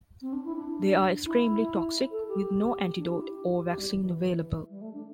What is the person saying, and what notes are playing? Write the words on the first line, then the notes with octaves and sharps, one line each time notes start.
They are extremely toxic with no antidote or vaccine available.
C4
D4
E4
D4
E4
A4
G4
D4
G4
E4
G4
G4
G4
G3
E3
E3
G3
A3
D4